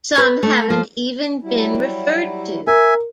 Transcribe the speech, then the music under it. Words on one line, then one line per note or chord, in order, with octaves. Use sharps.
Some haven't even been referred to.
B4
A3
F3
F#3 G3 E4
A#4 E5 G#5